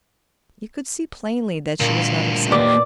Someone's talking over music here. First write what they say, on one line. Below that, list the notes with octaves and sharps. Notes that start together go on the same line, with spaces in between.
He could see plainly that she was not herself.
D2 G2 A#2
A#3 G4 D5